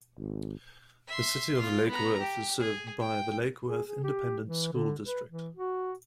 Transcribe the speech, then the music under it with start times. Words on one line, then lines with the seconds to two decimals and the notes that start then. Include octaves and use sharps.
The city of Lake Worth is served by the Lake Worth Independent School District.
0.18 G#1
1.08 E5 C6
1.59 F4
1.89 B3 A#5
2.20 G4
2.60 G#4
2.99 G5
3.68 G#4
3.87 G#4
4.04 G4
4.46 E3
4.72 D3
5.06 B4
5.30 E3
5.56 F#4